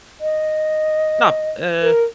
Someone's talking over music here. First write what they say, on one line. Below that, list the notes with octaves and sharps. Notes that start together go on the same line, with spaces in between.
not eh
D#5
A#4